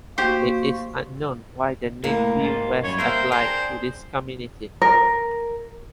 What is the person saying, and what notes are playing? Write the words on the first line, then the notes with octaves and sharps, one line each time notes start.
It is unknown why the name Plew was applied to this community.
A#3 F#4 G4 C5
A2 C3 A#3
G#2 F4
F#2 G3 C#5
G3 A#3 A#4 C5 E5
C4 D4 G#4 C5
A#4